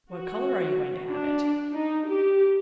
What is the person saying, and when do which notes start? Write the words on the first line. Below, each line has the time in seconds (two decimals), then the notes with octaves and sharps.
"What color are you going to have it?"
0.12 F#4
1.09 D4
1.74 D#4
2.08 G4